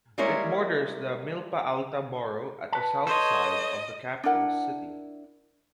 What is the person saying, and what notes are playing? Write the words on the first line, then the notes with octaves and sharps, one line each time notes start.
It borders the Milpa Alta borough at the south side of the capital city.
G3 G#3 A#3 E4 A#4 C#5
B4 A5
A4 C5 C#5 D#5
D4 E4 A#4 F#5